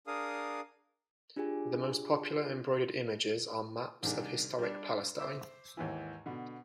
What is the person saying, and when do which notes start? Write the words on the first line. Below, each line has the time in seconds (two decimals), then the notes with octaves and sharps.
The most popular embroidered images are maps of historic Palestine.
0.07 D4 G#4 A#4 F5 D#6
1.36 D4 F4 G4 G#4 G#5
4.03 C2 D#3 D4 G4 G#4
4.59 G3 D4
5.19 C5 E5 D6 E6
5.77 D#2 G#2 E3
6.26 B2 D3